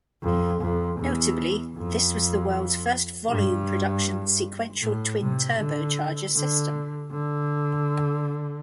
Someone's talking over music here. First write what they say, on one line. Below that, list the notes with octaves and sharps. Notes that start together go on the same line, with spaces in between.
Notably, this was the world's first volume-production sequential twin turbocharger system.
F2
F2
E2
F2
G2
A2
C3
D3
D3
D3